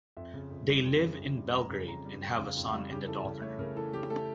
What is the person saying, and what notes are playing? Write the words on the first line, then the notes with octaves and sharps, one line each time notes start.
They live in Belgrade and have a son and a daughter.
F2 E5
C#3
F2
G3
F2
C#3
F2
G3
F2 A#5
C#3
F2 A#5
G3
F2 G5
C#3
F5
F2
F5
G3
C#3 G4
E3 A4
C#3
A3 C#5
C#3 A#4
E3 A4
C#3 G4
A3 A4